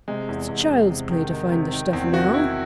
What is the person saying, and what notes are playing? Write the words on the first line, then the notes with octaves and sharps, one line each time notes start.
It's child's play to find the stuff now.
C3 G#3
E2
E2
E2
C3
D#3
D#3
C3
D#3
E2 C4
D#3 F#4
D#3 E4